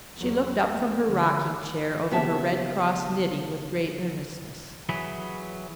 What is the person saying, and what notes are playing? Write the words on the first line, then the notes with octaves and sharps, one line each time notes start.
She looked up from her rocking-chair over her Red Cross knitting with great earnestness.
E2 F#3
A3 A#3
D3 F3
D#2 C#3 B3 G4 E5 A5
E3 F#3 G#4 B5